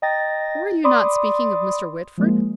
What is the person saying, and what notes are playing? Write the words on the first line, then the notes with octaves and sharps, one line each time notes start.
"Were you not speaking of Mr. Whitford?"
D#5 G5 A#5 A6 A#6
D5 B5 C6 D6 D#6
F3 G#3 A#3